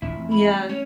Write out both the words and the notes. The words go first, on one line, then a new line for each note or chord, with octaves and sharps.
Mm, yeah.
D#1 A1 F2 D4 E4
E3 A3 C4
B5
C#4 C#5